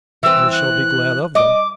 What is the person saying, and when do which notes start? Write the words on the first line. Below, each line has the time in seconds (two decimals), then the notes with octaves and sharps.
I shall be glad of them.
0.23 E3 C4 E6
0.52 F#6
1.35 D#5 D6